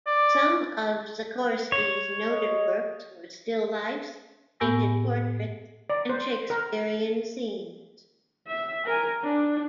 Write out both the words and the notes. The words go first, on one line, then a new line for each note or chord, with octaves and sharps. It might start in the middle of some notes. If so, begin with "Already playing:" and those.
Some of Czachorski's noted works were: still lifes, painted portraits, and Shakespearean scenes.
D5
C#5
D#5
A2 B3 G4 G#5 E6 A#6
D5
C5
A#4
E5
A#4 G#5
D4